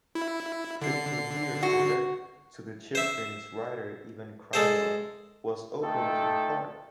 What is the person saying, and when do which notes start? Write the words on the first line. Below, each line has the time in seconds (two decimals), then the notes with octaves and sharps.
Fifteen years later, to the children's writer Ivan Krylov was opened in the park.
0.15 E4
0.82 D3 C7
1.63 F#4
2.95 C5 E5
4.53 G#3 A4 C5
5.82 A3 D#4 F4 A4 G5